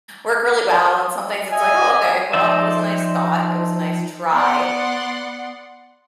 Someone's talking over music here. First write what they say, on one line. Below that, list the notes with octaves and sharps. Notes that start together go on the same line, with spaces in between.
work really well, and some things it's like, "Oh, okay, well, it was a nice thought, it was a nice try,"
D#5 E5 G#5
F3 D#4 C5 D5 E5
B3 D5 F#5 C6